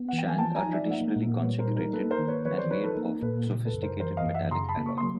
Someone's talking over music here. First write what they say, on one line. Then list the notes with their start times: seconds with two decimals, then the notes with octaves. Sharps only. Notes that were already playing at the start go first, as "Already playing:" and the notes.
Shang are traditionally consecrated and made of sophisticated metallic alloy.
Already playing: B3
0.08 E3 F#5
0.18 G5
0.29 G#5
0.38 F3 G5 A5
0.56 G#5 A#5
0.65 D#4
0.73 D5 E5
0.90 A#3 E5 F#5
1.16 A#2
1.42 G3 B4 C#5
1.59 A#4 C5
1.67 D#4
1.76 A#4
1.93 A#3 A4 B4
2.10 A#4 C5
2.19 D#3
2.28 B4 C#5
2.45 F3 B4 C#5
2.58 C5 D5
2.71 D#4 B4 C#5
2.84 A4 B4
2.96 A#3 A#4
3.22 A#2 A4 B4
3.49 C#3
3.65 A4 B4
3.74 F#2
3.83 A#4 C5
4.00 E3 A#4 C5
4.17 D#5 F5
4.26 F#2
4.34 E5 F#5
4.51 C#3 A#5 C6
4.69 A5 B5
4.77 A#3
4.86 C#6
4.98 C6
5.03 F#3